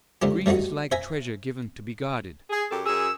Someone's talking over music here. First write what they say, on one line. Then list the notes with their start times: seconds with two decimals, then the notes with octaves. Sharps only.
Grief is like a treasure given to be guarded.
0.22 C#2 D3 C4 E4 G4
0.46 G3 A3 C4 D#4 F#4
0.92 C5 E5 G#5 A#5
2.50 G#4
2.71 F#2 G4 A4
2.86 F#2 G#4 E6